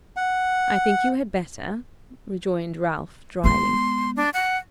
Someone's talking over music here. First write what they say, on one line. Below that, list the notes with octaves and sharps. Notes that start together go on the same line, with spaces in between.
'I think you had better,' rejoined Ralph, drily.
F#5
G#3 B3 C6
D4
F#5